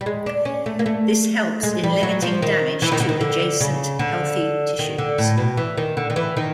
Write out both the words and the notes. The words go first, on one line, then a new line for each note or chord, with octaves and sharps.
This helps in limiting damage to adjacent healthy tissues.
G3
G#3
D4
C#4
A3
A#3
A3
G#3
G3
F#3
F3
D#3
E3
D#3
D3
D#3
D3
C#3
D3
D#3
D3
A2
B2
E3
D#3
D3
D#3
E3
D#3